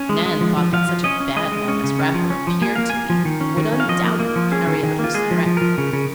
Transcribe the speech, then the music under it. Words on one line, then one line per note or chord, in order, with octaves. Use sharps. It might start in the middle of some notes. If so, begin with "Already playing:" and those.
Nan thought that such a bad man as Raffer appeared to be would undoubtedly carry out his threat.
Already playing: C#4
G#3
G#3
F3
F3
F3 F5
F3
C#4 D#5
C#4
G#3 D#5
G#3
C#4
C#3
C#4
F3
C#4
F3
A#3 G#5
A#3 F5
A#3 G#5
F3
D#3
C#4
D#3
C#4
F5
F3 D#5
A#3
A#3
F3
C#4 G#4
D#3
D#3
A#3 F4
G#3 G#4
F3
F3
F3 A#4
C#3
C#3